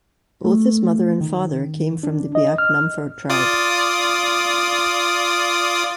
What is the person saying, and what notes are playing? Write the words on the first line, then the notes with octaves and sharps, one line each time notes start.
Both his mother and father came from the Biak Numfor tribe.
A3
D#3
D4
D#5
F6
F4 D5 D#6